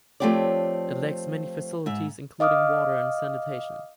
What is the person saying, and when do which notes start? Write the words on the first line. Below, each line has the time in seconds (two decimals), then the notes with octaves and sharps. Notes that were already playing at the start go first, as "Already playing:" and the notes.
It lacks many facilities including water and sanitation.
0.20 F3 A3 C4 G4 C#5 D5
1.86 G#2 E5
2.40 D#5 F5 D6 D#6 F6